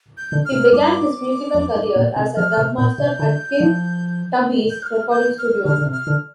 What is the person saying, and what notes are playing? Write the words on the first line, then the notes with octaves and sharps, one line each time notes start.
He began his musical career as a dub master at King Tubby's recording studio.
G6
D3
F6
C3
G2 D6
F2
G2
A#2
C3
F3 F6
C3
A#2 G6
C3
D3
F3
G6
F6
G6
F6
D3 F6
D3
C3
F6
D3